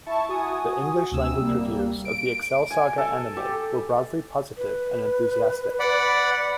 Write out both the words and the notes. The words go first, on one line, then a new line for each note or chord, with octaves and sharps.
The English-language reviews of the "Excel Saga" anime were broadly positive and enthusiastic.
E4 A5 C#6
F#4 G#5 D#6
D2 C3 E6
G3 A#3
D7
G#5
A4
G4
B4
D5 F#5 B5